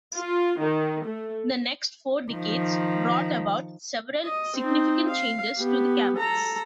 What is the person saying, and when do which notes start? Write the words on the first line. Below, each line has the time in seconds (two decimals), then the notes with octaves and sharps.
The next four decades brought about several significant changes to the campus.
0.18 F4
0.59 D#3
1.06 A3
2.32 D#3 F3
4.25 D#5
4.57 C4 D#4
5.10 F5
5.58 B3 G4
6.17 A4 A#5